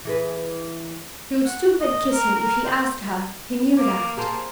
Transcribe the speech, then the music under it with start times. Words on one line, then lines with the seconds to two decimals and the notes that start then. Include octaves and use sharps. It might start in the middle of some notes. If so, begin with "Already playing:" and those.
She would stoop and kiss him if he asked her; he knew that.
0.05 E3 G#4 B4
1.45 F#5
1.81 D#5
2.13 A#4
2.35 A#4
2.65 C5
3.77 A#3 D6
4.17 G#4 A#4 C5 A5